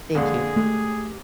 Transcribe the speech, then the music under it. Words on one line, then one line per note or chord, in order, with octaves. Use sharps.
thank you.
F2 D3 G#3 A#3 G#4
G#3 A3 G4